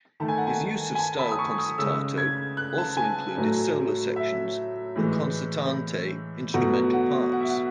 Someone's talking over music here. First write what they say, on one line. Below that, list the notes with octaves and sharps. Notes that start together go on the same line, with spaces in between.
His use of "stile concertato" also included solo sections and concertante instrumental parts.
D#3 A3 A5
G#5
F#5
G#5
G#5
A5
B5
D#6
C#6
D#6
C#3 G#3 E6
G#6
F#6
A5
G#5
A2 F#3 A3
E5
A2 E3 G#3
B2 F#3 A3 F#5
F#5
F#5
E5
F#5